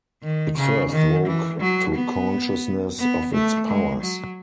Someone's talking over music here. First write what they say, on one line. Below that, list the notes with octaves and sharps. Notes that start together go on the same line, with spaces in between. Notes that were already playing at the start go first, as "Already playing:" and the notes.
It first woke to consciousness of its powers.
D#3
C#3
D#3
E3
F#3
B3
B3
A3
G#3
F#3